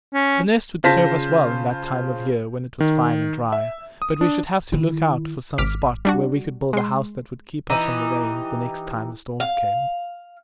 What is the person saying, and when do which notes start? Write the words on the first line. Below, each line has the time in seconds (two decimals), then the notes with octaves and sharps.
The Nest would serve us well in that time of year when it was fine and dry, but we should have to look out for some spot where we could build a house that would keep us from the rain the next time the storms came.
0.13 C#4
0.84 C#3 F4 C5 A5 A#6 B6
2.80 D#3
3.53 E5
4.02 D#6
4.21 D4
4.72 D#3 E4
5.58 G#1 D6 F6 B6
6.05 G3 D4 F#4
6.73 G#3 C6
7.70 E3 D#4 G4
9.40 F5